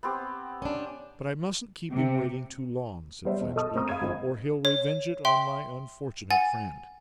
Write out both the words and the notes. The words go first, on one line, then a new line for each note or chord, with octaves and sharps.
'But I mustn't keep him waiting too long,' said Fledgeby, 'or he'll revenge it on my unfortunate friend.
B3 C4 G4
C#4 D4
C3
G3 B3 C5 D5 E5
B1
A4 D#5 A5 D#6
A#3 C4 A#5 D#6
F5 B5 G#6 D#7
G#1 F2 F3
C#5
E5 G5 C6
F#5 G#5 A6